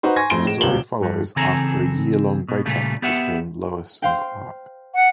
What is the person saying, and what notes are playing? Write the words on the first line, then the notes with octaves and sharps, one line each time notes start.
The story follows after a yearlong breakup between Lois and Clark.
D#4 F#4 B4 C5
G#5 C6 C#6 G#6 A#6
F2 A3 C6 D7 G7
A2 G#3 E7
D#1 C#2 C3 F#7 G7
G2
C#3 E3 C4 G#4 A4 A#5
B2
A#2 C#3 G3 A3 F4
B3 G4 E5 F#5
C5 F5 G5
F#5